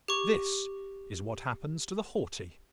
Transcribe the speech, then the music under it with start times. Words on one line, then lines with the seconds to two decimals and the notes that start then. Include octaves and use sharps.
This is what happens to the haughty.
0.08 G4 C#6